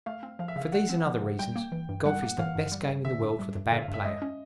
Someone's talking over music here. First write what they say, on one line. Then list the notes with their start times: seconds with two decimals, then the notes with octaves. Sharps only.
For these and other reasons golf is the best game in the world for the bad player.
0.06 A3 F5
0.23 C4
0.39 F3 F5
0.48 E5
0.56 C#3 F5
0.72 A3 F#5
0.89 C4
1.06 F3
1.23 C#3
1.39 G3 G5
1.56 A#3
1.72 E3
1.89 G2
2.05 G3 F#5
2.22 A#3
2.38 E3 F5
2.55 G2
2.72 G3
2.89 G2
3.05 D3 E5
3.22 G2
3.39 G3
3.55 G2
3.71 D3 E5
3.82 F5
3.88 G2
3.94 E5
4.05 G#3 D#5
4.22 C#4